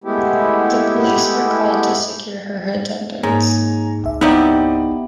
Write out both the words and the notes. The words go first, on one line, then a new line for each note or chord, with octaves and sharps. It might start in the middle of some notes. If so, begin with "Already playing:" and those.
The police were called to secure her attendance.
G#3 A3 B3 E4 G4
G#2 A#3 C#5 G#5 A#5
G#1 C#2 E5
B3 C4 D#4 E4 G4 D5 D#5